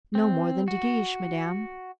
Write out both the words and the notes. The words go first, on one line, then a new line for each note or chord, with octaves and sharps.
"No more than De Guiche, Madame."
C4
F#4